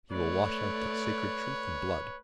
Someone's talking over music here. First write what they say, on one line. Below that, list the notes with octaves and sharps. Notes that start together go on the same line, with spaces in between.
He will wash out that sacred truth in blood.
A3 B4 C#5 D5